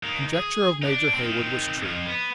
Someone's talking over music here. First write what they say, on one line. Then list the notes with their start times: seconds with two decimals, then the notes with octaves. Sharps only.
The conjecture of Major Heyward was true.
0.03 D#3 A#3
0.34 G#4
0.82 D4 D#4
1.14 D#3 C4
1.85 F2 F3
2.06 B3